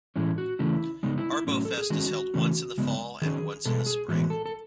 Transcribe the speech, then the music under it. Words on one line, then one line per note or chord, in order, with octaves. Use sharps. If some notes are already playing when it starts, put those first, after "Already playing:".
Arbo-Fest is held once in the fall and once in the spring.
A2 E3 G#3 C#4 E4
F#4
C#3 E3 A3 C#4 E4
C#3 G#3 B3 D#4
E4
E4
A2 F#3 C#4
A4
G#4
D#3 G#3 C#4 F#4
C#3 E3 A3 C#4
C#3 G#3 B3
D#3 F#3 C#4 G#4
B2 G#3 B3 A4
G#4
A2 E3 G#3 B3 F#4
A4
A4